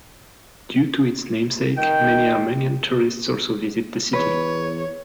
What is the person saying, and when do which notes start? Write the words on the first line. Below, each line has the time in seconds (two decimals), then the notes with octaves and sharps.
Due to its namesake, many Armenian tourists also visit the city.
1.78 D#3 G5
4.13 E2 B4 C#5